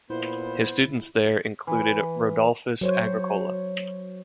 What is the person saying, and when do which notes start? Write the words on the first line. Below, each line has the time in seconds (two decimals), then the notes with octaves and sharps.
His students there included Rodolphus Agricola.
0.10 A#2 B3 E4 C5
1.67 E3
2.81 F#3 C5 C#5